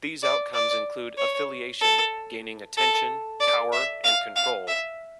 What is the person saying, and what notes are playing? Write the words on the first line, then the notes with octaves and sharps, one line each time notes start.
These outcomes include affiliation, gaining attention, power and control.
D5
D5
C#5
A4
A4
D5
E5
F5
F5
E5